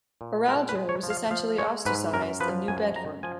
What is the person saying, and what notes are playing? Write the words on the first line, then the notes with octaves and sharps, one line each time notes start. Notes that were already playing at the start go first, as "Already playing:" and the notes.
Araujo was essentially ostracized in New Bedford.
A#2
G#3 A#4
B4
G#3
C#5
F3
F5
F3 F5
G#3 C#5
G#2 B4
F#2 A#4
F3 B4
F#2 G#5
F#2 A#5
F3 G#5